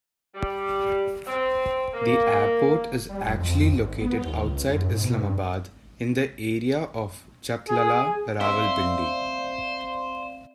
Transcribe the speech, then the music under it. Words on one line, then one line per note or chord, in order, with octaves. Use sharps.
The airport is actually located outside Islamabad, in the area of Chaklala, Rawalpindi.
G3
C4
A#3
G3
F1
F2
G#1
B3
D#2
C#2
F#2
G#2
B2
G2
G#4
C4 C5 D5 E5 F5